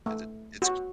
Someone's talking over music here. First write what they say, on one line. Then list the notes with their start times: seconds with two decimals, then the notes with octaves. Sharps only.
Is it it's
0.06 A3
0.62 F#4